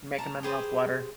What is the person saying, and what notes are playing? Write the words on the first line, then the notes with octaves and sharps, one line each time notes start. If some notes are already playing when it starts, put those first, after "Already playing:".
Making my mouth water.
A#2 A5 A#5
G4 G#4 B4 C5